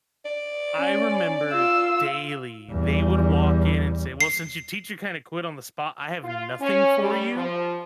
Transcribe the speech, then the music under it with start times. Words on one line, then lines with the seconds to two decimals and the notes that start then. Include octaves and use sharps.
I remember daily, they would walk in and say, "Well, since your teacher kinda quit on the spot, I have nothing for you.
0.25 D5
0.77 C#4
1.52 F4 E6
2.70 E2 G3
4.21 C7
6.24 F4
6.60 C#4
6.98 G3
7.35 F3